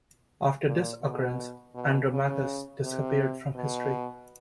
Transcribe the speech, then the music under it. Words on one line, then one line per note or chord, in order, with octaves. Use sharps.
After this occurrence, Andromachus disappears from history.
A#2
B2
B2
C#3
C3
B2